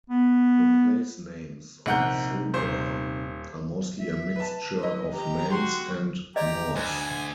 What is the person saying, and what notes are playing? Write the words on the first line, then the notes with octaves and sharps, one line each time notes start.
The place names on Sodor are mostly a mixture of Manx and Norse.
B3
A#1 C3 D#4 A#4 F#5 G6
D#1 C5
E5
B4 A5
E4 B4 D#5
G4 A#5
F#4 G4 C6
G4 D5 D#5 A#5
D2 G#5